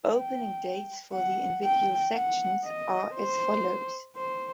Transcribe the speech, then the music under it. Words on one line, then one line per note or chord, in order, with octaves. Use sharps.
Opening dates for the individual sections are as follows.
G5
F#5
G5
F#5
D#5
C5
C5